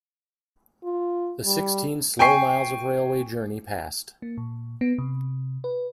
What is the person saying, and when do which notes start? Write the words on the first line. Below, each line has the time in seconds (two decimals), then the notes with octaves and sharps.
The sixteen slow miles of railway journey passed.
0.83 F4
1.44 G3
2.19 G5 G#5 C#6 C7
4.22 A#3
4.37 A#2
4.81 B3
4.98 C3
5.64 B4